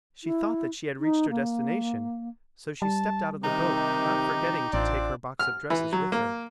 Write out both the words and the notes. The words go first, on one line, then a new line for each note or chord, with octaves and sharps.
She thought that she had reached her destination, so she stepped out of the boat not forgetting to take her box of dresses with her.
E4
D#4
A#3
G3 A5
C3 D#3 D#4 G4
A1 C4 D4 F4 D5
F6
E3
F#3
A#3